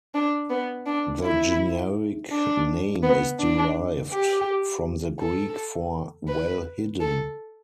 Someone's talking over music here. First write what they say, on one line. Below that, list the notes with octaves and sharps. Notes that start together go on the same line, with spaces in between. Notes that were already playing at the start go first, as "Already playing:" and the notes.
The generic name is derived from the Greek for "well hidden".
D4
B3
D4
E4
D4
B3
D4
G4
A4
B4
A4